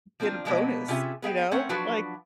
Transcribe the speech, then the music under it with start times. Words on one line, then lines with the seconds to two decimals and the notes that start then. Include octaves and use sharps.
get a bonus, you know, like
0.20 F3 A#3 C4 D4 F4
0.45 B2 F3 G#3 A#3 B3
0.88 C3 C#4 F4 G#4 E5
1.22 B3 G#4 E5 G5
1.51 A3 C4 C#4 A#4 C#5 F#5
1.69 F3 F#3 D4 F#4 B4